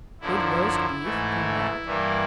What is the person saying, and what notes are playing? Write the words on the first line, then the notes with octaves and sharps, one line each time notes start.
Could roast beef come back?
F#2 D3 F3 E4
G#2 E3 A3
G2 E3 G3 A#3